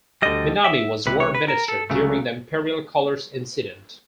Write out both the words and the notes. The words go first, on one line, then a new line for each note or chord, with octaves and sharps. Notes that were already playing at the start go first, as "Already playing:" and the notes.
Minami was War Minister during the Imperial Colors Incident.
D2 D3 G3 D#5
E5
C#2 C3 B4
C#5
B4
A#4
A4
C#2 C#3 F#3 A3